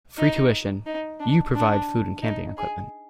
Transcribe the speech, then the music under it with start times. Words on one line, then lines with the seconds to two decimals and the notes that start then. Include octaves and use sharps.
Free tuition --- you provide food and camping equipment.
0.18 D#4
0.86 D#4
1.20 D4
1.55 D4
2.22 D#4
2.57 G#4